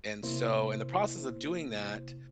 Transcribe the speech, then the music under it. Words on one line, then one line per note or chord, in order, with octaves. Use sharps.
And, so, in the process of doing that,
C3 A#3 E4 C5